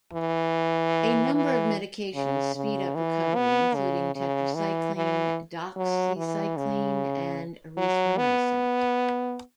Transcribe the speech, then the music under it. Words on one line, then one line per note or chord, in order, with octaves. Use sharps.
A number of medications speed up recovery including: tetracycline, doxycycline, and erythromycin.
E3
E3
C#3
C#3
E3
B3
C#3
C#3
E3
E3
F#3
E3
C#3
F#3
B3